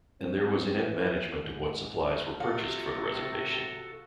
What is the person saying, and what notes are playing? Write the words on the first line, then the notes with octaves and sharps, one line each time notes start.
And there was inept management of what supplies were purchased for the reservation.
C4
E3
G#2
C3 F4 F#4 A4